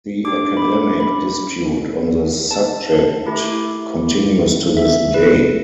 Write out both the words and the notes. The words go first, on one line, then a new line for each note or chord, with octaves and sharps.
The academic dispute on the subject continues to this day.
D4 G4 D6
B5
D6
B5
A5
A3 E4 G4
E5
B4